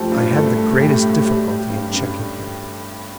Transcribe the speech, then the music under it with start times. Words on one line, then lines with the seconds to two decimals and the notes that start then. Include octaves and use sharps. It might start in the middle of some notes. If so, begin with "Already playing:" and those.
I had the greatest difficulty in checking him.
Already playing: G2 F3 A3 F4 G4 A4 C5
0.12 G2
0.29 C5
0.34 A3 A4
0.56 A3
0.79 A2 G4
1.02 A2
1.25 G3
1.47 G3
1.70 G2
1.93 G2